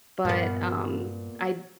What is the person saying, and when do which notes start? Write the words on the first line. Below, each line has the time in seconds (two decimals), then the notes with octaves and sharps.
but, um, I d
0.25 G2 A#2 B3